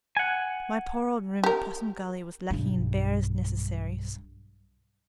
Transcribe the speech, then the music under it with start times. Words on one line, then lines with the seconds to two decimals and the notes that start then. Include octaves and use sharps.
My poor old room at Possum Gully was lacking in barest necessaries.
0.17 F#5 G#5
1.44 G4 A#4
2.50 B1 G2